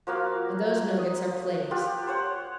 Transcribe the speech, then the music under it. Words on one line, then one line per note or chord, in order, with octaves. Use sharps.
And those nuggets are plays.
F3 A#3 F#4 F5
D#5
F4 G4 F#5
C5 C#5 F#5